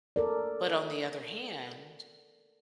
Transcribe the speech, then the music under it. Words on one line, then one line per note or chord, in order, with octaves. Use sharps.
But on the other hand,
A4 A#4 D5